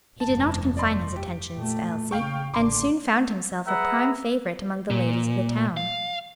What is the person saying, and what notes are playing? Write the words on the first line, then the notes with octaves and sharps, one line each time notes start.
He did not confine his attentions to Elsie, and soon found himself a prime favorite among the ladies of the town.
F1 G2 A5
D5 D#5 C6
G4
A#2 A3
C#3 F5 G5 C#6
A1 D3 C6 D6
G#4 B4 E5 F#5 A#5
A#2
F5